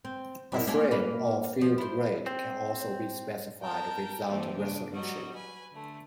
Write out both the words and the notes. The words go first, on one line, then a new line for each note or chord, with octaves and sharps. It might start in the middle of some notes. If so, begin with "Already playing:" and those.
A frame or field rate can also be specified without a resolution.
C4
G3 E4 A#4
A3 A#3 C#4
A#3 B4
F3
E4 C5
C4
A#4 G5 A5
E3 A#3 C4 G4 A4
C#3 D4
F#3 G3 F#4 D#5
B4 G#5
D3 A3